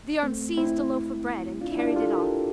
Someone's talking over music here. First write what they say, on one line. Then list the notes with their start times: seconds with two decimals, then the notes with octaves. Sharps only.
The arm seized a loaf of bread and carried it off.
0.23 A3 C4
0.57 C4 E4
1.61 D4 F4
1.72 E4
1.79 D4 F4
1.90 G4
1.96 F4 A4
2.13 G4 A#4